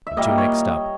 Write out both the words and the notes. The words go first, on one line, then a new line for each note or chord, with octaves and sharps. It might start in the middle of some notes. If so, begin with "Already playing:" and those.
I'm too mixed up.
E5
A#2 G3 A#3 D#5
C#5